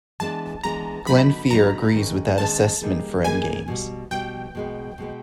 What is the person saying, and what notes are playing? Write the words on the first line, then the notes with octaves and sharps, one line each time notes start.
Glenn Flear agrees with that assessment for endgames.
E3 G#3 B3 D4 A5
E3 G#3 B3 D4 A#5
D3 F#3 B3 D#4 B5
D3 F#3 B3 D#4 A#5
D#3 G#3 C#4
D#3 G#3 C#4 A5
G3 A#3 D#4 G#4 B4
G3 A#3 D#4 G#4 B4 G#5
B2 G3 B3
B2 G3 B3 G5
B2 G#3 B3
B2 G#3 B3